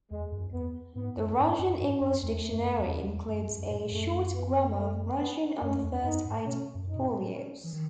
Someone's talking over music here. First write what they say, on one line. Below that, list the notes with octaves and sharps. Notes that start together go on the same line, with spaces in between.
The Russian-English dictionary includes a short grammar of Russian on the first eight folios.
E2 G#3
F#2
E2 B3
G#2 B3
F#2
G#2 C#4
F#2
G#2
F#2
E2 A3
F#2
E2
E2
F#2
F#2
A2
F#2 A3
B3
A3
B3
F#2 C#4
E2
F#2 D#4
G#2
B2 C#4
F#2
D#4
B2
A2
C#4
E3
D#3